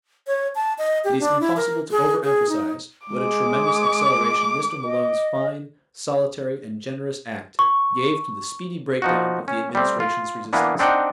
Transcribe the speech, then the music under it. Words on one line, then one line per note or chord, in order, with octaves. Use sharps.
It is impossible to overemphasize what a tremendous acceleration Mr. Malone's fine, solitary and generous act gave to the speedy break-down of the Administration's resistance.
C#5
A5
D#5
G4
D4
E4
A#4
G#4
G#4
D#4
G#3 D6
D#5
C#6
F3 D#4 F#4
C#4
G3 A3 C4
F4
E3 A#3 B3 D4
C4 D4 D#4 F#5 G5